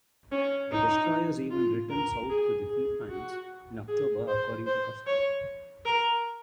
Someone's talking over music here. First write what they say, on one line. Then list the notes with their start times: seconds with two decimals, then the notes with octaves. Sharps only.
The destroyers even returned south to the Philippines in October according to custom.
0.32 C#4
0.72 D#4
1.51 F4
1.90 A#4
2.30 G#4
2.69 G#4
3.09 F#4
3.88 G#4
4.28 C5
4.67 C5
5.07 C#5
5.85 A#4